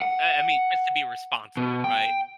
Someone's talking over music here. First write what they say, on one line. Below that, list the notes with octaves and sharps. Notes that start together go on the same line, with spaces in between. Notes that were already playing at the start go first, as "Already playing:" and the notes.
b I I mean, just to be responsible, right?
F#5
B2
G5